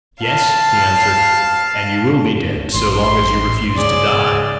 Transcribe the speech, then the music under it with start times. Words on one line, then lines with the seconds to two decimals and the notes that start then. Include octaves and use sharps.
"Yes," he answered; "and you will be dead, so long as you refuse to die."
0.23 F5 A5
2.74 A1 C6
3.77 G#2 C#3 G#4 D5